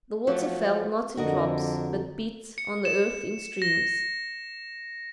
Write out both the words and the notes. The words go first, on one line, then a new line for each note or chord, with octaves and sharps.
The water fell not in drops, but beat on the earth in streams.
F3 F#3 A3
F2 D3 F#4 A#4 D#5
C#7
E7
A#6